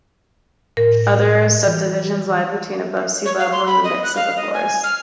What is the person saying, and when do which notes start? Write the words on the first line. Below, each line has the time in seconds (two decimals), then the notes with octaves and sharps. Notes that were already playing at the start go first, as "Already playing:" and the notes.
Other subdivisions lie between above sea level in the midst of the forests.
0.77 A2 A#4
1.66 E3
3.25 C#5
3.39 F5
3.52 C6
3.67 B5
3.84 D#5
4.03 F#6
4.16 F5
4.36 D#5
4.54 G#5
4.84 F6